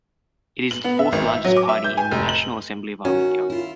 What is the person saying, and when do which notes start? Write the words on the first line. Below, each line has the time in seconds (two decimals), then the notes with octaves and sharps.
It is the fourth largest party in the National Assembly of Armenia.
0.71 F#7
0.84 B3
0.99 E5
1.12 G#1
1.28 E5
1.44 F#3
1.57 D6
1.69 E5
1.84 G6
1.97 G#5
2.11 F1
2.29 F#7
3.05 D#3 C#4 F#4
3.50 E4 F4